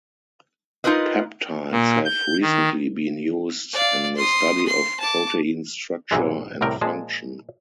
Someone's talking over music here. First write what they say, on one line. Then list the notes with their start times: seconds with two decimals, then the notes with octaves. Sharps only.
Peptides have recently been used in the study of protein structure and function.
0.84 D#4 F4 A#4 B4 D#5
1.72 A#2
2.05 G6
2.42 D#3
3.73 D5 F5
4.16 C6 D#6
4.66 C6
5.00 A5 D6
6.11 B1 G#2 C3 E3 G#3
6.61 C2 A2 C3 A#4 G5
6.81 A#2 F3 G#3 G#4 A5